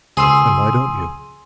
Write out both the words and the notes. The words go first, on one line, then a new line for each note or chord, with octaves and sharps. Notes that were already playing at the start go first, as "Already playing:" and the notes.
'Then why don't you?
C#2 G#4 C6 E6